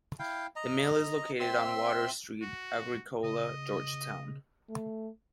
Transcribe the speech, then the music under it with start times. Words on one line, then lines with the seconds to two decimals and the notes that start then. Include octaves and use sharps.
The mill is located on Water Street, Agricola, Georgetown.
0.19 E4 F5 G5
0.56 D#5 A#5
1.40 C4 E5 C6 E6
2.42 F#4
3.24 C#3 D#5
4.69 A3